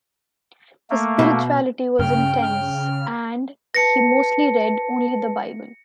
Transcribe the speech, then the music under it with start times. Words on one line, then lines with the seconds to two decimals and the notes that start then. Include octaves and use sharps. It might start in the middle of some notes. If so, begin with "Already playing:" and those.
His spirituality was intense, and he mostly read only the Bible.
0.90 A3 A#3
1.19 B2
1.99 G2 C#3 G5 F6
2.42 C#3 F6
3.74 B4 A5 A#6 C#7